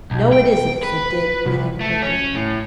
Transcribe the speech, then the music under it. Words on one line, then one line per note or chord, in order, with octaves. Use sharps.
'No, it isn't,' said Dick, wheeling quickly.
B1
G5
B4
C2
A3
C#4
A2